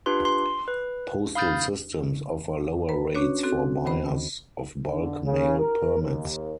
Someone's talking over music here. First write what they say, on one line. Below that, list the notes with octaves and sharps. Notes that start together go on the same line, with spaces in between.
Postal systems offer lower rates for buyers of bulk mail permits.
D4 F4 G4 B4 C6
C6
B4
F5 B5 D#6 F6 G6 A6
B4 A#5 B5
C#4 D4 F#4 C#5
C4 F#4 A4
D#2 D#3 C5 B5
D3
C#3
A#4
D#2